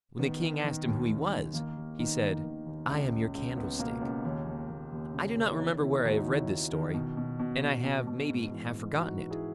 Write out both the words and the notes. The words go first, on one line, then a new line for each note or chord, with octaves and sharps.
When the king asked him who he was, he said, 'I am your candlestick.' I do not remember where I have read this story, and I have, maybe, half forgotten it.
D#3 B3
D#3
D#3
D#2
D#2
D#3
D#3 A#3
D#2
D#3 B3 D#4
D#3
D#3
D#2
C#2
C#2
C#2
C#2 B3
B2 A#3
C#2 B3
D#2 A#3 C#4
D#2
D#2
D#2
C#3
C#3
E4
D#3 B3 D#4
D#2 C#4 E4
D#2 D#4 F#4
D#4
D#3 C#4 E4
D#3
D#3
B2
B2
B2
B2
B2
B2
G#2
E3
E3
E3 D#4 F#4
E3
E4 G#4